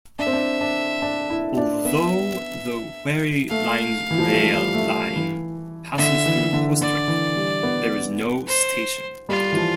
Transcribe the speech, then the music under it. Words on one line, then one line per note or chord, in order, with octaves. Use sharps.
Although the Wherry Lines rail line passes through Postwick, there is no station.
D4 E5
C4
D4
D4
D4
E4
D4
B3 E5
A3 F5
E3
F3
G3
A3
G3
A3
E3
D3 E5
E3
D3
D3 D5
E3
G3
B3
C5
G3 F4
E3
F3